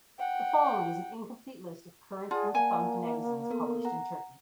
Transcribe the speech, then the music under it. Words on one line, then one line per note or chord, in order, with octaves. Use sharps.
The following is an incomplete list of current and defunct magazines published in Turkey.
F#5 G5
F4 G#4 D5 F#5 A5
A#3 G#5
B3 A4 A#4
F#5 A#5